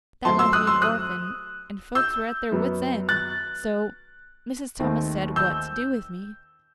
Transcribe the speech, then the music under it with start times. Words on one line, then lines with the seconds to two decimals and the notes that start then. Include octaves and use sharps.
That left me an orphan and folks were at their wits' end, so Mrs. Thomas said, what to do with me.
0.25 F#2 F#3 A3 C4 A5 C6
0.39 C6 E6
0.53 D#6 F#6
0.67 C6 E6
0.82 D#6 F#6
1.95 E6 G6
2.52 F#2 F#3 B3
3.09 F#6 A6
4.80 D#2 D#3 A3 C4
5.36 E6 G6